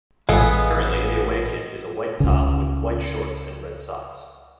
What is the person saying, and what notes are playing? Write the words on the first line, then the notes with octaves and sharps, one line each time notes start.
Currently the away kit is a white top with white shorts and red socks.
A1 A#2 G#3 B3 A4 F5 G#5 D#6
C#2 C#3